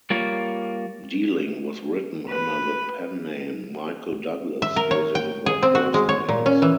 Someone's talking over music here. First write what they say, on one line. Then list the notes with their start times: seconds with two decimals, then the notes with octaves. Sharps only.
"Dealing", was written under the pen name 'Michael Douglas', using their first names.
0.10 G3 A#3 F4 A#4 C#5
2.29 B4
4.62 E5
4.76 A#4
4.91 C#5
5.15 G5
5.46 G#4
5.63 C4
5.75 F#4
5.94 G#3
6.09 C#5
6.29 A#2
6.46 C#4
6.62 E3